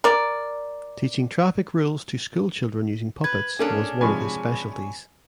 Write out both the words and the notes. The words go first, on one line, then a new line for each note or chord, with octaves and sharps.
Teaching traffic rules to school children using puppets was one of his specialties.
A#4 D5
B4 G#6
A#3 C#4 D4 G#4 A4
C3 F3 G#3 G#5 B5 C#6